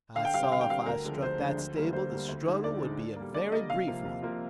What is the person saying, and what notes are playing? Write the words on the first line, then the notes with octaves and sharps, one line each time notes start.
I saw if I struck that stable the struggle would be a very brief one.
D3 F5
G5
G3 F5
C4 G5
D3 F5
G5
G3 C4 F5
D2 A#4
D3 F3 G#3 D4
D2 C5
D3 F3 G#3 D4
D2
D3 G3 A#3
D2 C5
D3 G3 A#3
D2
D3 G#3 D#4
D2 D5
D3 G#3 D#4
D3
G3 A#3
D3 D5
G3 A#3 D#5
C2 F5
C3 F3 A#3 F4
C2
C3 F3 A#3 F4